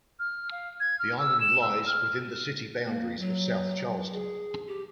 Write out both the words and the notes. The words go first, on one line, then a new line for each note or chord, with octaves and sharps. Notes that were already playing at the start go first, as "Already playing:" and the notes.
The island lies within the city boundaries of South Charleston.
F6
F5
G#6
F6
E6
E7
E6
F6
A#3
F#3
G#4
G4